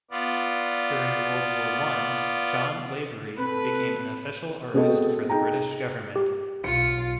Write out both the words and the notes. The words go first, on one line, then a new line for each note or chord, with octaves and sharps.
During World War One, John Lavery became an official artist for the British government.
B3 F4 D5
C4 A4 B4
G#3 B3 C4 F#4 A4 D#5
D#4 G#4 G5 A#5
G4
B1 F4 C#7